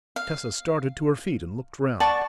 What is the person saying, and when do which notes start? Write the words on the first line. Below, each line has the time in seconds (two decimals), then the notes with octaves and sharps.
Tessa started to her feet and looked round.
0.16 F5
2.00 D5 F#5 A5 C#6